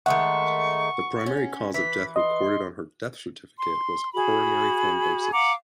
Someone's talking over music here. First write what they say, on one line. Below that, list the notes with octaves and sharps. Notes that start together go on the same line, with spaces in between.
The primary cause of death recorded on her death certificate was coronary thrombosis.
D#3 G#3 A3 F#5 C#6
C#4
E3 B6
D#5 C6
C6
F#4 G#4 B5
F5 F#5 A#5 D6